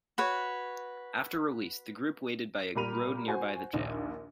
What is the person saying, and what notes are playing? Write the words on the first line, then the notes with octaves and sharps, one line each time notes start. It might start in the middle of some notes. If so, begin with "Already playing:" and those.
After release, the group waited by a road nearby the jail.
F#4 B4 C#5
A#2 G3 A#4 B5 D#7 F7
F#4 C5 G#5
A#1 D#2